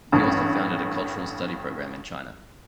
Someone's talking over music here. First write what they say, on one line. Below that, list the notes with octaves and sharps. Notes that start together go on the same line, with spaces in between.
He also founded a cultural study program in China.
A1 G2